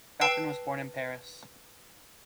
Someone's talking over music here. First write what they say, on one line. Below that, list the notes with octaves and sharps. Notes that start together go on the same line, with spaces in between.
Chapelain was born in Paris.
B4 G5 A5 E6 C7